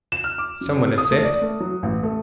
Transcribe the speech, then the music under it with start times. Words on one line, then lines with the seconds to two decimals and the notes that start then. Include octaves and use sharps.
"Someone is sick?"
0.12 E7
0.24 F6
0.38 D6
0.61 F#2
0.79 C3
0.98 D#6
1.11 A3
1.24 D5
1.41 A3
1.60 F#3
1.83 A1
2.03 A3